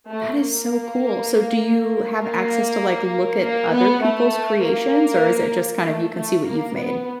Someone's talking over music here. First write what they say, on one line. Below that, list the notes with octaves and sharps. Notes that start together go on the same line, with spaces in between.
That is so cool. So do you have access to, like, look at other people's creations, or is it just, kind of, you can see what you've made?
A3
A#3
A#3
A#3
B3
A3
A#3
A3
A3
A#3
B3